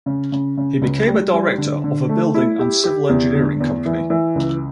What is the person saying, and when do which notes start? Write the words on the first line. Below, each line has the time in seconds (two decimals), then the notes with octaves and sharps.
He became a director of a building and civil engineering company.
0.06 C#3
0.32 C#3
0.57 C#3
0.82 C#2
1.07 G3
1.33 G3
1.58 D3
1.84 D3
2.09 A3
2.34 E4
2.59 G4
2.84 G4
3.09 E2
3.35 D3
3.60 E2
3.85 E3
4.10 E3
4.35 C#2